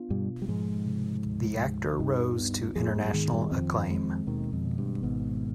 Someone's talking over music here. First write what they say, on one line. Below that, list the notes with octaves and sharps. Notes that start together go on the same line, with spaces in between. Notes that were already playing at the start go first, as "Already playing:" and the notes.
The actor rose to international acclaim.
Already playing: B3 D4 F4
G2 B2 G3
G3
G#2 F3 G#3
C3
D2
D2
G2 G3 D#4
B3
F2 F3 G#4
G2 G3
G3
G#2 D#3 G#3
G2 G3
F2 F3 C4
G#3
D#2 B2 D#3
F2
B2
G2
G#1 G#2 B3